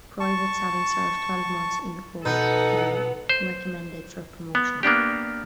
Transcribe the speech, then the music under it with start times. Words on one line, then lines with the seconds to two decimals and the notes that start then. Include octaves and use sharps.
Privates having served twelve months in the Corps could be recommended for promotion.
0.20 A5 C#6
2.25 B2 B3 D#4 A4 F#5 G6
3.29 C5
4.55 B3
4.83 A#3 B3 D4 G4